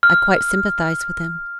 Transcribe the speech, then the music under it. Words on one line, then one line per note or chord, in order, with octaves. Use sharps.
I quite sympathise with him.
F6